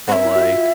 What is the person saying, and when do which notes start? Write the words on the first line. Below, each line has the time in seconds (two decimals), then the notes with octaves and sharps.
but, like
0.08 C4 E5 F#5
0.25 E4
0.36 F#4
0.41 F4
0.58 F4